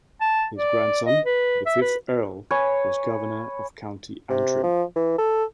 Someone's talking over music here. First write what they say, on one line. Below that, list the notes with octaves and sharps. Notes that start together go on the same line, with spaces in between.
His grandson, the fifth Earl, was Governor of County Antrim.
A5
D5
D#5
B4
E5
B4
B4 C#5 G#5
C3
F3
E3
A4